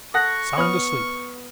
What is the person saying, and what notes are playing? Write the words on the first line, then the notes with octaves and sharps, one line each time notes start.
Sound asleep!
A4 F#5 C#6 D#6 F#6 A#6
B3 C#5 B5 D#6 F6